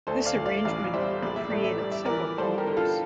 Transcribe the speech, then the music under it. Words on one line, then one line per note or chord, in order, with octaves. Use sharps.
This arrangement created several problems.
D2 A4 C5
D5 F5
D2
D5 F5
A1 D5 F5
D5
G3 C5 E5
A#1 D5
E5
A2 D5
E5
G3 D5
E5
E3 A#4 D5
G3 A4 C5
G4 A#4
D3
F4 A4